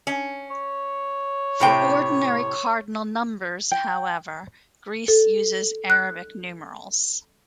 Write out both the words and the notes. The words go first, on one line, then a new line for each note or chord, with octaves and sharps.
For ordinary cardinal numbers, however, Greece uses Arabic numerals.
C#4
C#5
A2 C3 G5
G5
A4
F#6